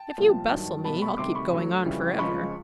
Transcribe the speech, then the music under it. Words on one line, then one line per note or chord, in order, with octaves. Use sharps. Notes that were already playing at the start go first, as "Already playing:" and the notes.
If you bustle me, I'll keep going on for ever.
Already playing: G5 A5
C2 A#2 F3
G2 D#3 F#3
C2 B2 G3 A5 B5
B5 C#6
D2 C3 D#3 G3 C6 D6
B5 C#6
D2 D3 F#3
F2 C#3 E3 G3
C#2 C#3 F3 G#3 B5 C#6